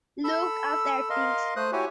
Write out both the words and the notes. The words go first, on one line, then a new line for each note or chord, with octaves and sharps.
Look after things.
A4 B5 E6
A#4 D#5 F5 C6
A3 C5 D#6 F#6
E4 F#4 G4 C#5 G#5